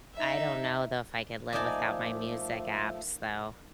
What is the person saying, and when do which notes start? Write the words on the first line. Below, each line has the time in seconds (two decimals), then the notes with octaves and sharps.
I don't know, though, if I could live without my music apps, though,
0.13 D#4 E5
1.53 F3 A3 A#3 D#4 D5 G#5 A5